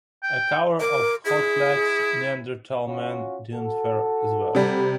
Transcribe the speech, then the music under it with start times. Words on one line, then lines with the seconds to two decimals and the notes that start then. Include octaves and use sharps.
A cover of Hotlegs' "Neanderthal Man" didn't fare as well.
0.23 G5
0.81 A#4 D6
1.25 E4 G#4
2.86 C#4 F4 F#4
3.52 F#4 A4
4.55 C3 G3